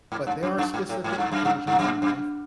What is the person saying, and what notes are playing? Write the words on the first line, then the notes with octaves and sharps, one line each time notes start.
but there are specific occasions in life
G#2
G2
F#2
G2
G#2
A2
G#2
G2
F#2
G2
G2
F#2
F#2